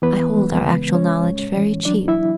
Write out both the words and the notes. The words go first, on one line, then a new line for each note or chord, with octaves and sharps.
I hold our actual knowledge very cheap.
E3 B3 B4
G#3
C#3
G#3 C#4 C#5
A2
E3
F#3 D4 D5
E4 E5